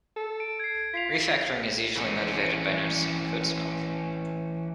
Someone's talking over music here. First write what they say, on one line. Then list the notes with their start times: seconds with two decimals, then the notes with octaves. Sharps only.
Refactoring is usually motivated by noticing a code smell.
0.16 A4
0.40 D7
0.60 G#6 C7
0.94 F4 B6 C7 F7
1.97 E3 C#4